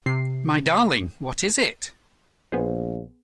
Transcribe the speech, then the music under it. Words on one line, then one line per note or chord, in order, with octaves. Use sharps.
My darling, what is it?
C3 C7
A#1 B3 G#4 C5